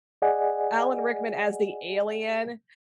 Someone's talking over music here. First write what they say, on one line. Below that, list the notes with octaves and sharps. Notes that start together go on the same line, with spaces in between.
Alan Rickman as the alien,
G#4 D5 D#5 F#5 G#5